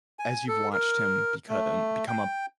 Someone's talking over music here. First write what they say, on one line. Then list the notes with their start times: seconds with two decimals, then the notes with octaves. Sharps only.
as you've watched him become become a
0.19 G#5
0.48 A4
0.73 A#4
1.49 A3
2.08 G5